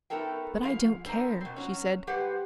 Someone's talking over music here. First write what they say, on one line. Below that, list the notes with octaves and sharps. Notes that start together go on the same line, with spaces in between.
"But I don't care!" she said.
A3 B3 D#4 A4 A#4 G5
F3 G#3 F5
B3 C4 D4 G#4 A#4 C5
B2 C4
F#3 C#4
G3 G4 B4 C5 F#5